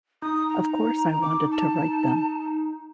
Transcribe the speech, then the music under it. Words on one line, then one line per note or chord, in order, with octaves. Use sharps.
Of course I wanted to write them!
D#4 D#6
A#5
D6
A5